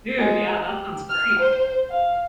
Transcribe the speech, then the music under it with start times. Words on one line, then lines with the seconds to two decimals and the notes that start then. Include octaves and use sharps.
Dude, yeah, that sounds great.
0.18 G#3
0.66 G4
1.09 F6
1.39 C5
1.90 F5